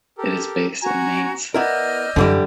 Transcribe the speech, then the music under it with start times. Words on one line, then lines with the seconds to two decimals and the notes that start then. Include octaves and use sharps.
It is based in Mainz.
0.18 G4 A4 A#4
0.82 F#4 G#5 A#5
1.54 B3 E4 A#4 D5 D#5 E6 F6 G6
2.16 F#2 D3 E3 G3